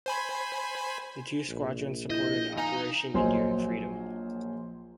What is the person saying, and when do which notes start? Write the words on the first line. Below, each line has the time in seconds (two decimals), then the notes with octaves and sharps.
The two squadrons supported Operation Enduring Freedom.
0.06 C5 G#5 B5
1.49 A#1
2.10 E4 D#5 G6
2.57 D#4 F5 G#5 A#5
3.14 A#1 F#3 A#3 C5 D#5 G#5